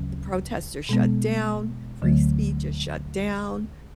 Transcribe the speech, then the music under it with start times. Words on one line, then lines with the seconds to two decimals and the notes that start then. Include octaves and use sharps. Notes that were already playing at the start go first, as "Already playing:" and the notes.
the protests are shut down, free speech is shut down,
Already playing: D2 C#3 F#3 C#4
0.89 B2 G#3 B3
2.02 D2 D3 F#3 A3